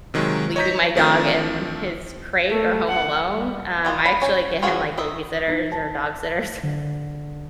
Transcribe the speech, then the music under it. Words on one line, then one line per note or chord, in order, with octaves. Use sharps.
leaving my dog in his crate or home alone, um, I, actually, get him, like, babysitters or dog sitters,
C3 D#3 F#3 G#3
C#5 D#5 A#5 G6 B6
D#3 F3 A3 C4 D4
A3
F#5
G3
E3 G3 F4 D#5
D4 B5
C#4 G#5
F3 C#4 F4 F#4 G#4
D#3 D#5 E5
D#4
A5
D3